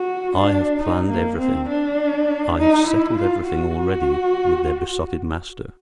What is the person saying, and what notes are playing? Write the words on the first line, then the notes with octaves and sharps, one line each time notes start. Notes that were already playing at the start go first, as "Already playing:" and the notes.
I have planned everything,--I have settled everything already with their besotted master.
Already playing: F#4
D4
D#4
A#3
C4
D4
D#4
E4
F4
F#4